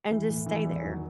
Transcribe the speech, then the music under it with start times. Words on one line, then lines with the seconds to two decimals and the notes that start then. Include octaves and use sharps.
and just stay there.
0.11 E3
0.29 A2
0.46 E3
0.65 E2
0.82 D#3 F#3